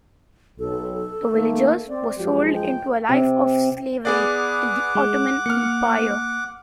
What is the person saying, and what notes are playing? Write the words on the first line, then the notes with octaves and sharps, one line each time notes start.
The villagers were sold into a life of slavery in the Ottoman Empire.
B1 A4
D#3 A3 A#3
C4 D5
F#2 F3 G#3 G4
G5
C3
B3 G#4 D5 F#5 D6
G#3
A#3 F6 C#7